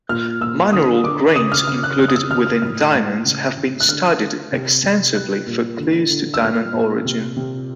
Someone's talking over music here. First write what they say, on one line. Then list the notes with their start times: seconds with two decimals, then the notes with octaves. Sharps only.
Mineral grains included within diamonds have been studied extensively for clues to diamond origin.
0.09 A#2 F6
0.41 A#2 E6
0.72 D3 D#6
1.04 D3 D6
1.36 C#3 D#6
1.52 F6
1.67 C#3 F6
1.83 F#6
1.99 C#3 F6
2.08 D#6
2.15 E6
2.31 C#3 F6
2.47 F6
2.62 A2 F6
2.94 A2
3.25 C#3
3.57 C#3
3.80 F#6
3.88 D3 F6
4.21 D3
4.52 C3
4.83 C3
5.15 G3 F#6
5.47 A#2
5.78 D3
6.10 D3
6.34 E6
6.42 A#2 F6
6.74 A#2
7.05 C3
7.37 C3